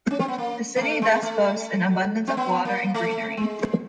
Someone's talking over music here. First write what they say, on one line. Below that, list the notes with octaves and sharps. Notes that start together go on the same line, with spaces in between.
The city thus boasts an abundance of water and greenery.
C#4
C4
B3
A#3
A#3
A3
G#3
A3
C4
B3
A#3
A3
G#3